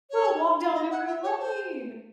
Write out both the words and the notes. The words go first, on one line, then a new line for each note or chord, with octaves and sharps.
Little walk down memory lane.
C#5
D#5
F#5
E5
C#5
C5